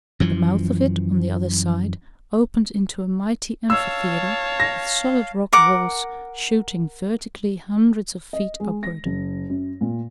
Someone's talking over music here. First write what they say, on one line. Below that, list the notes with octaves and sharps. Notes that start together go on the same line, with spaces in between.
The mouth of it on the other side opened into a mighty amphitheatre with solid rock walls shooting vertically hundreds of feet upward.
F#2 E3 F3
C#5 F5 A5 E6
A#6
A#4 F#5 D6
D#5
G#3
A#6
F#1
F#2
A#2